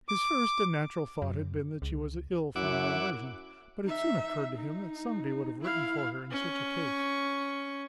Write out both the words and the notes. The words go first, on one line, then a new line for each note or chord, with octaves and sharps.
His first and natural thought had been that she was ill from her immersion; but it soon occurred to him that somebody would have written for her in such a case.
D6
F#2
C#2
F#2 E4 F#5 D6
D#4 E5
D#4
E4 F5
C#4 C#6